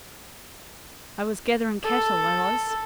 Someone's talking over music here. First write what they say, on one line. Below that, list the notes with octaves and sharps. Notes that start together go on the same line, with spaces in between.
I was gatherin' cattle, I was.
A4